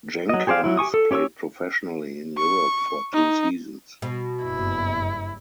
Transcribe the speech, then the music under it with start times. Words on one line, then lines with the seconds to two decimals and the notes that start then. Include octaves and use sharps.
Jenkins played professionally in Europe for two seasons.
0.29 F#3 D#5
0.47 G4 G#4 C5 D5 F5
0.64 F#3 E4
0.77 G4 G#5 C#6 D#6
0.94 A4
1.11 C#4 G4 C#5 C#6 E6
2.38 C#6
3.14 D#4
4.02 B2
4.44 F#1 G2 E4